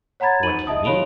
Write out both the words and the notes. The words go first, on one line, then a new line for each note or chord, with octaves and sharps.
What do you mean?
C#5 F#5 A#5 B5 G#6 A6
D#4 D#7 F#7
D#5 E5 A5 D#6
G4 C#5 F5 B5 D7 F7